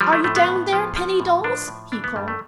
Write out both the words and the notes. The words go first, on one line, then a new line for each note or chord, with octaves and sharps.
"Are you down there, penny dolls?" he called.
F3 G3
A3
A2 A3
B3
A2
F3
F3
A2
F3 D4
A2
E3 D4
B3
G2 G3
A3